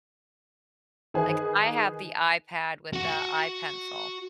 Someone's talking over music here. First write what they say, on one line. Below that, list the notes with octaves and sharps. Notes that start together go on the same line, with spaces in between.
like I have the iPad with the iPencil
D#3 G#4 B4
F#4 F#5